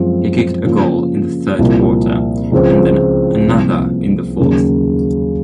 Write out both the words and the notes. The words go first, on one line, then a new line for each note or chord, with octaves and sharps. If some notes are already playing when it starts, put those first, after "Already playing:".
He kicked a goal in the third quarter and then another in the fourth.
Already playing: F#2 F3 G#3 C4
C#3 F3 A#3 C#4 F4
C2 A#2 F3 C4
C#2 C#3 F3 C4
C2 C3 F3 A#3
D#2 C#3 F#3